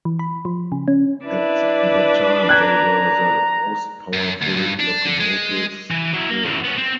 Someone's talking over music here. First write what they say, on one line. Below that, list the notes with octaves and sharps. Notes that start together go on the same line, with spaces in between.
At the time they were the most powerful locomotives built.
E3
B5
F3
C#3
C#4
D4 E4 B4
A#5 F#6 G#6
F#2
D2
G2
D4
D3
G#3
E3
F#3 E4
A#3 A#5
F#2 E3
B3 C#4
C4